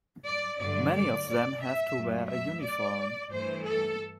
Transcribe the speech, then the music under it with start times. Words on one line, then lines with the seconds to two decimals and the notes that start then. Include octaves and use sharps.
Many of them have to wear a uniform.
0.25 D5
0.60 G2 D3 F#3 A3 D5
0.93 D5
1.28 D5
1.61 E5
1.95 F#2 F#3 A3
2.28 E5
2.61 D5
3.29 G2 E3 A3 C5
3.64 A4